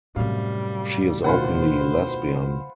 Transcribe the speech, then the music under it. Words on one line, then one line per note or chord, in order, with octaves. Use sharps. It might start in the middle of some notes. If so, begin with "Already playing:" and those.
She is openly lesbian.
F#2 A2 C3 G3 F5
D2 B2 D#3 F4 B4 C5 F#5